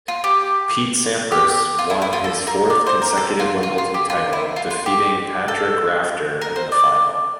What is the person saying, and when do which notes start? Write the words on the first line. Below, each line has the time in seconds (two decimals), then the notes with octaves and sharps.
Pete Sampras won his fourth consecutive Wimbledon title, defeating Patrick Rafter in the final.
0.08 F4
0.24 G4
1.32 G4
1.79 F4
1.90 E4
2.02 E4
2.13 F4
2.24 A4
2.47 A#4
2.70 D5
2.87 C5
3.02 A#4
3.17 A4
3.39 F4
3.63 F4
3.78 F4
3.94 G4
4.10 F4
4.33 E4
4.56 F4
4.71 F4
4.86 G4
5.48 A4
6.41 A#4
6.56 C5
6.72 D5